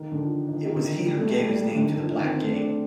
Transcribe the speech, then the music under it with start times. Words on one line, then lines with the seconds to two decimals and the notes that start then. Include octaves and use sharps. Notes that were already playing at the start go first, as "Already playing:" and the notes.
It was he who gave his name to the Black Gate.
Already playing: D#3
0.12 D3
0.22 F3
0.48 D#3
0.54 F3
0.65 D#3
0.74 D3
0.86 D#3
0.96 F3
1.06 G3
1.17 A3
1.27 A3
1.37 G3
1.47 G3
1.63 G3
1.75 D3
1.79 D#3
1.90 D3
2.00 F3
2.10 D#3
2.22 C4
2.32 C4
2.42 A3
2.52 D4
2.64 C4